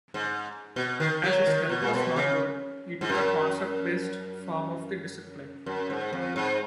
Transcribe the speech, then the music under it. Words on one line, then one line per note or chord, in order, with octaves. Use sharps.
As his health was not good, he took a concept-based form of the discipline.
G#2
B2
D#3
F#3
D#3
B2
A#2
B2
C#3
G#2
F#2
F#2
G#2
F2
G#2